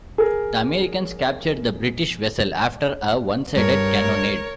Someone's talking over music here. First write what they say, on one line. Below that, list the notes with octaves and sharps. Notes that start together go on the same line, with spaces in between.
The Americans captured the British vessel after a one-sided cannonade.
G#4 A#4
G2 G3 A#4 C#5